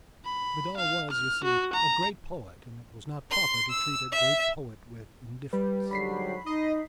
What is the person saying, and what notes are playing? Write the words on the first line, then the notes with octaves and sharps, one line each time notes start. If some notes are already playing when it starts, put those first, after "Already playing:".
Vidal was, you see, a great poet and it was not proper to treat a great poet with indifference.
B5
F5
F6
F#4
A#5
C6
E6
E5
G3 B4
G#2 D3 F#3 B5 B6 C7
D#4 D#5